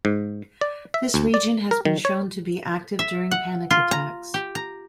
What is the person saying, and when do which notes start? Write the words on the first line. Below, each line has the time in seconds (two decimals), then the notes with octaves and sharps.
This region has been shown to be active during panic attacks.
0.05 G#2
0.61 D5
0.94 E5
1.14 D2
1.34 D5
1.71 A#4
1.85 D#3
2.05 C#5
2.99 E5
3.31 F#5
3.71 F4
3.91 A#5
4.34 G4
4.55 A#5